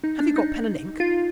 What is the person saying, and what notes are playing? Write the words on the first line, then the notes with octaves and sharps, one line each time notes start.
Have you got pen and ink?
D#4
D4
D#4
F4